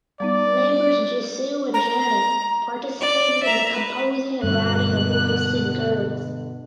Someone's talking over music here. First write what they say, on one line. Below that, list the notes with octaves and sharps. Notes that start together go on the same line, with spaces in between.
Members Jisoo and Jennie participated in the composing and writing of "Lovesick Girls".
G3 B3 D#4 D5
A#5
D5
E5 A#5
B4
G2 B2 D3 F#6